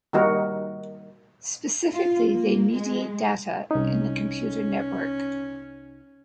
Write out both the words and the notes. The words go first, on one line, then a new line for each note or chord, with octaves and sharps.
Specifically, they mediate data in a computer network.
D#3 G3 A#3 D#4 F#4 A#4
F4
A#3
G#3
C2 C#4 D#4